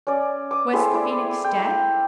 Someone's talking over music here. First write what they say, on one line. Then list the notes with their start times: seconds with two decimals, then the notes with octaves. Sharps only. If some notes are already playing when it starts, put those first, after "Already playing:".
Was the Phoenix dead?
0.07 C#4 D5
0.51 D6 D#6
0.73 C4 E4 G#4 A4
0.93 E4 D5
1.44 G5